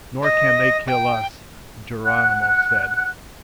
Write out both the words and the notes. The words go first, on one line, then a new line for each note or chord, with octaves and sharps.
"Nor can they kill us," Geronimo said.
D#5
G5
F#5 F#6